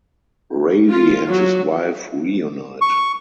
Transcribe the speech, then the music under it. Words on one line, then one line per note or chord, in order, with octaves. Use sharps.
Ravi and his wife reunite.
F4
F#3
C#6